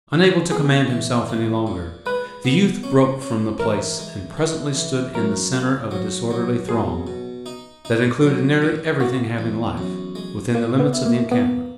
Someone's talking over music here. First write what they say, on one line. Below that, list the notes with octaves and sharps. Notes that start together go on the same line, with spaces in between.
Unable to command himself any longer, the youth broke from the place, and presently stood in the center of a disorderly throng, that included nearly everything having life, within the limits of the encampment.
G#2
B3 G#4
E3
A#3
A#2
G#3 B4
B3
C#4
C#4
E3 A#4
G#3
E3
E3
F#2 A#4
A#3
F#3
F#3
B2 G#4
B2
D#4
D#4
F#3
A#2
A#3 F#4
E2
F#2
G#3
A#2 A#3
B3
E4
A#3
A#3 B3